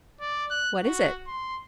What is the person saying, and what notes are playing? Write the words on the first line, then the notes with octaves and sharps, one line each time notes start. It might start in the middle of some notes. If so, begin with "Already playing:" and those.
"What is it?"
D5
F#6
F#4
C6